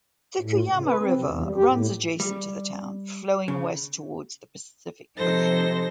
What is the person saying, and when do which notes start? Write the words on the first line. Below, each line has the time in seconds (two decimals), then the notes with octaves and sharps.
The Cuyama River runs adjacent to the town, flowing west towards the Pacific Ocean.
0.41 A2
0.61 G#2
0.73 C#3
0.86 B4
1.03 C4
1.14 C3
1.26 E2
1.43 G3
1.56 G4
1.68 A2
2.20 G3
3.48 C#3
5.17 C3 F3 D#4 A4 C5 A#6